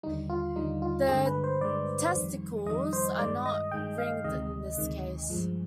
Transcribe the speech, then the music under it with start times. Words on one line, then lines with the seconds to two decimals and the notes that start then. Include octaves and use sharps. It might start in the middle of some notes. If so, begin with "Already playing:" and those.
The testicles are not ringed in this case.
0.03 D#2 D3 G3 D#4
0.30 F4
0.56 D#2 D3 G3 D#4
0.82 F4
1.08 G2 D3 G#3 G#4
1.26 B4
1.44 C5
1.61 G2 D3 G#3 D5
2.13 F2 D#3 G3
2.66 F2 D#3 G3 D#5
2.93 C5
3.19 G2 D#3 G#3 D5
3.46 D#5
3.71 G2 D#3 G#3 G5
3.98 F5
4.23 D2 C3 D#3 G#3 D#5
4.77 D2 C3 D#3 G#3
5.29 G2 F3 G#3